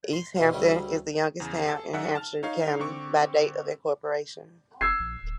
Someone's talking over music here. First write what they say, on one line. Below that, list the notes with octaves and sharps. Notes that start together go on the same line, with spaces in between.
Easthampton is the youngest town in Hampshire County by date of incorporation.
C6
B2 F4
D2 C#3 G3 A3
E2 C#3
G#4 A4 A5
F#2 D#4 G#4 D5 E5 F#5
A5 F6
D#4 C#5 F5
D3 C4 C#6 D6
F#1 E6 G#6 C7
A#1
D1